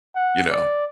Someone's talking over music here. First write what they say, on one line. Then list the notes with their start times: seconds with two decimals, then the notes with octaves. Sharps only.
you know,
0.16 F#5
0.51 D5